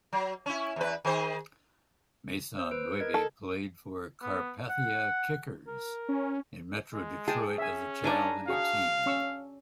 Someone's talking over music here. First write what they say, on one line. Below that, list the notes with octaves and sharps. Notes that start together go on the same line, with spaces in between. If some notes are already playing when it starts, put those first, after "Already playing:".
Maisonneuve played for the Carpathia Kickers in Metro Detroit as a child and teen.
F#3
C#4 E4
E2 B4
D#3 G#4 C5
C5 E6
B4 D7
A#4 D#5 G#6
A4
B3
F#5
A#4
C#4
G#3
G#4 G5 A5
C#4 E5 G#5
D4 D#4 D5 G#5 A#5
F#4 G#4 F5 C#6
C#4 C#6 E6